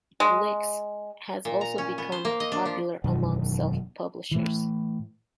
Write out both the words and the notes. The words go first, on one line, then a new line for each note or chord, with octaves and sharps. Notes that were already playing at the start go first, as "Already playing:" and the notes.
LyX has also become popular among self-publishers.
G#3
A#2
A#5
C#4
B3
C5
A#3
D#5
D4
F3
E1 F#2 B2 D#3
A2 E3